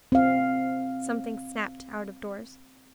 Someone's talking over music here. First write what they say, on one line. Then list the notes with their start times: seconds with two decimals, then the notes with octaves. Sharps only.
Something snapped out of doors.
0.12 C4 F5